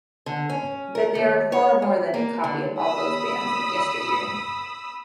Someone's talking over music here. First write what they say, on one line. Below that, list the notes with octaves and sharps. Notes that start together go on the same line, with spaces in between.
But they are far more than a copy of all those bands of yesteryear.
D3
C#4
A#4
D#2
C#5
E2
A#3
D3
B5 D#6 E6